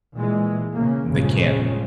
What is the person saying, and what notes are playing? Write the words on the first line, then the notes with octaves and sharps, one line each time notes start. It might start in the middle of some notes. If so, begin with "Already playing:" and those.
They can't
A#2 E3 G#3
C#3 A#3
G1 F2 A#2 C#3 F3 G#3